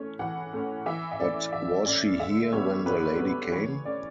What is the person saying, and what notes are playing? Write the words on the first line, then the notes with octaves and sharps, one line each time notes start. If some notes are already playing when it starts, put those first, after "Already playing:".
But was she here when the lady came?
Already playing: E3 A3 C#4 C#5
E3 F#5
A3 C#4
E3 E5
E5
A3 C#4 D5
E3 E5
A3 C#4 D5
D3 E5
G3 B3 C#5
D3 B4
G3 B3
E3 C#5
A3 C#4 D5